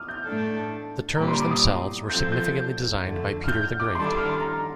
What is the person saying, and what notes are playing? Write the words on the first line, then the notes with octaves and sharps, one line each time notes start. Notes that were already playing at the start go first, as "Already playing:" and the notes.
The terms themselves were significantly designed by Peter the Great.
Already playing: D6 D#6 F6
G6
A2 A3 D4 A4
A#2 G3 C4 G4 A#5
C6
D6
D#6
F3 C4 F4 A4 G6
G6
F2 D3 A3
F6
G6
D6
D#3 G3 D4 A4 C6
D6
F6
C6
A#5